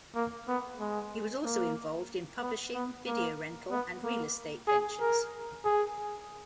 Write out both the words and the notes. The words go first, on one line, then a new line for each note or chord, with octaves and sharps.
He was also involved in publishing, video rental, and real estate ventures.
A#3
B3
G#3
A#3
B3
B3
A#3
B3
A#3
G#4
A#4
G#4